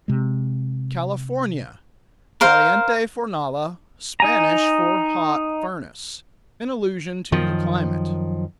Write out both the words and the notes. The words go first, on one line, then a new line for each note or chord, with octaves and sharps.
California--Caliente Fornala, Spanish for "hot furnace," in allusion to the climate.
C3 G#3
A#4 C5 F5
D#4 G#5 A#5
F#2 D#3 F3